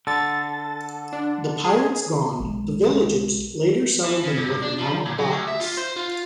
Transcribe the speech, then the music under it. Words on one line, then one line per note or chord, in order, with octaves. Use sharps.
The pirates gone, the villagers later settled in what are now Baras.
D3 A4 A6
D4
G#4
B1 G#3
E3
C#3
G2
D4
F3
A#2
F#3
D2
E5
F4
C5
F4